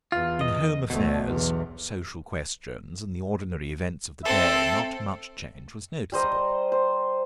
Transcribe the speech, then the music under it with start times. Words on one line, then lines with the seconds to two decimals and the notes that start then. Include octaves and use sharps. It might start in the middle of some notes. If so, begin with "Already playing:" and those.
In home affairs, social questions, and the ordinary events of the day not much change was noticeable.
0.12 E2 F4
0.41 D#5
0.90 D2 B2 A3
1.24 B1 E2
4.24 C4 A4 E5
6.12 G3 C5 D#5 A#5
6.72 C5